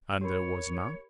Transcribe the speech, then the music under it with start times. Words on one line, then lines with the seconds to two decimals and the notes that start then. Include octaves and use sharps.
"And there was none?"
0.21 G4 A#4 C#5 B5